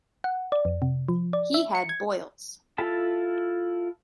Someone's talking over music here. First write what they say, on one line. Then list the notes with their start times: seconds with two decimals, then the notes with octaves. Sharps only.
He had boils.
0.24 F#5
0.52 D5
0.65 F2
0.82 C3
1.09 F3
1.33 D5
1.54 E5
1.75 C#7
1.89 G#6
2.78 E4 F4 A4 A5 B5